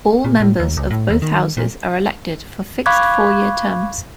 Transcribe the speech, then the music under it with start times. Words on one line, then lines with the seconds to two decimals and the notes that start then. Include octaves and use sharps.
All members of both houses are elected for fixed four year terms.
0.24 A#2
0.40 A2
0.60 D#2
0.77 C#2
0.90 A2
1.10 D#2
1.22 D#3
1.57 A#2
2.86 F5 B5 C#6 D6 F#6 G#6